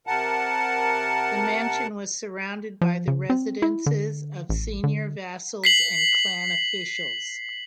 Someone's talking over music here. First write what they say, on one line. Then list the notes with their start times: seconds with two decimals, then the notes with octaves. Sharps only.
The mansion was surrounded by the residences of senior vassals and clan officials.
0.07 C3 A#4 F#5 A5
2.81 F3
3.08 C#3
3.30 C4
3.62 E4
3.86 D3
4.49 A1
4.84 D3
5.64 B6 C7 F#7